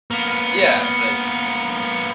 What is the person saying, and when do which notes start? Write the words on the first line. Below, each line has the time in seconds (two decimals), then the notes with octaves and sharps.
Yeah, but
0.11 A#3 B3